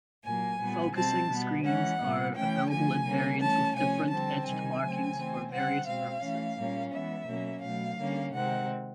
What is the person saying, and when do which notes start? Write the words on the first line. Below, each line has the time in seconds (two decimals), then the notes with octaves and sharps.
Often, focusing screens are available in variants with different etched markings for various purposes.
0.24 A#2 F#3 A#3 G#5
0.59 A#2 G3 B3
0.93 B2 G3 C4 A5
1.29 B2 G3 B3
1.64 E3 G#3 C#4 F#5
2.00 A#2 G3 B3
2.35 E3 A3 C#4 G5
2.69 D3 F3 A3 G#5
3.05 D3 G3 A#3 C#4
3.40 E3 A3 C#4 A5
3.75 C3 F3 A3 C#4 G#5
4.10 D3 G3 C4 A5
4.45 C3 D#3 G3 G#5
4.81 C#3 F#3 A3 C4
5.16 E3 A3 C4
5.51 D3 G3 C4 F#5
5.86 B2 G#3 C4 F5
6.21 E3 A3 C#4
6.57 A#2 G3 A#3 C#4
6.92 E3 G#3 B3 E5
7.27 B2 F#3 A#3 C#4
7.62 B2 F#3 A3 F5
7.98 D3 G3 A#3 C#4
8.33 C3 D#3 G#3 C4 F#5